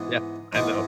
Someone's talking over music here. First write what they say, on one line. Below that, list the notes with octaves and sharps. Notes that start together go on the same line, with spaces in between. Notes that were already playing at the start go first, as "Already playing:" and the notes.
Yeah, I know.
Already playing: G#2 E3 G#3 B3
G#2 E3 G#3 B3